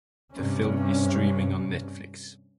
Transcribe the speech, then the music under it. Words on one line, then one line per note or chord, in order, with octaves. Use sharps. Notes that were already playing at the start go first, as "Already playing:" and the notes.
The film is streaming on Netflix.
G2 C3 C#4